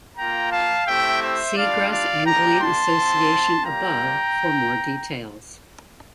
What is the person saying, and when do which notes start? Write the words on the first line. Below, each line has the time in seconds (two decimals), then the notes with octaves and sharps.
See Gress Angling Association above for more details.
0.17 A#3 F4 G5 A#5
0.52 F5 A5
0.87 A3 C4 E4 G4 E5 G5
1.22 C5 E5
1.56 G3 D4 F4 D5 F5
1.91 D5 F5
2.25 A#3 D4 G4 G5 A#5
2.60 A5 C6
2.95 F4
3.00 C4
3.65 G3 A#3 F4 G5 A#5